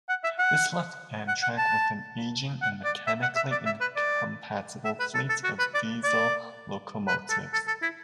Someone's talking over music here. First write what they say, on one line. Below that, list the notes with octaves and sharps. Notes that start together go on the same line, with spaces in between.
This left Amtrak with an aging and mechanically-incompatible fleet of diesel locomotives.
F#5
E5
F#5
F#5
F#5
A5
F#5
D5
E5
F#5
E5
D5
E5
B4
D5
E5
B4
A4
A4
F#4
B4
D5
D5
B4
A4
A4
A4
E4